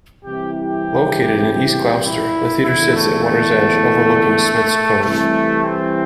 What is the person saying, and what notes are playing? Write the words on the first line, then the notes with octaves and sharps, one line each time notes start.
Located in East Gloucester, the theatre sits at water's edge overlooking Smith's Cove.
C2 C3 E3 G4
G4
E4
E2 D3 E4
A3
A3
C2 C3 E3 A3
C4